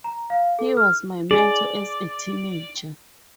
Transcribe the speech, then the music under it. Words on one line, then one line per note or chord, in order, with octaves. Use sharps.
He was my mentor as a teenager.
A#5
F5
A4
F6
G#4 D5